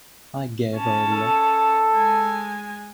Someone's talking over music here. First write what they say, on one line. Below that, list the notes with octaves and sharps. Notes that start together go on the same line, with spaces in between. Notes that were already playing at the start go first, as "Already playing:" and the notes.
I gave her a look.
C#4 A5
A4
G#3 G#5